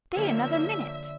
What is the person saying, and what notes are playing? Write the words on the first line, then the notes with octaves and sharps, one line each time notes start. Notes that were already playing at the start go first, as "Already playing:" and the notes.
Stay another minute!
D3 F3 A#3 C#5 E5